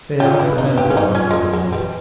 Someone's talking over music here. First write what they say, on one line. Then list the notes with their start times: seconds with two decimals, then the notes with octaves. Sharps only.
They haven't the men to run a government.
0.20 A#2 G4
0.34 D#4
0.39 G2 E4
0.58 G2 D#4
0.78 G2 G4
0.90 C#4
0.96 G#2 D#4
1.15 A#2 C#4
1.31 G#3
1.33 A#2 A#3
1.52 A#2 G#3
1.72 E3 G3